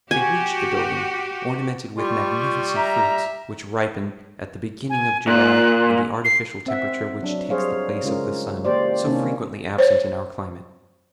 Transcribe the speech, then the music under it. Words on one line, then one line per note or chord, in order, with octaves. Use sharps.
They reached the building, ornamented with magnificent fruits, which ripen at the beginning of July in the artificial temperature which takes the place of the sun, so frequently absent in our climate.
F#4 G4 G#5
G3 F4 C#6
E5 A#5
G#5
A#2 F#6
C7
C4 E5 F#5
F#3 D4
F#3 G3 G#4 C5 C#5 F5
C#3 G#3 C#4 F4 A#4
E3 A#3 G4 C5 D5
C3 D#3 A#3 C#4 D4
C5 C#5